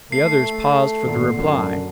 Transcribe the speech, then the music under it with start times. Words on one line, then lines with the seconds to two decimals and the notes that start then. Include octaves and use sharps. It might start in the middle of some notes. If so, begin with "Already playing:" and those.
The others paused for the reply.
0.12 A3 C7
1.04 G#1 A#2 D3
1.38 F#2